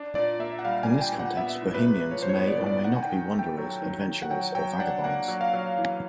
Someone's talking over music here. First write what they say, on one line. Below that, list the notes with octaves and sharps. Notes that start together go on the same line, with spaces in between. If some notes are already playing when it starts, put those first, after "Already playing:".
In this context, Bohemians may or may not be wanderers, adventurers, or vagabonds.
Already playing: D4
A#2 D5
A#3 E5
F#5
G3 F5
G#5
D4
G5
A#2
F#5
B3 E5
A2
B4
G#3
F3 C#5
C5
C#5
B3
D5
A2
D5
D#3 F#5
G#5
G5
D#3
A3
G5
F#3
D#3
D#3
F#5
F#3 G5
F#3 G5
D4 F#5
A#3 F#5
F#3
F5
F#3
E3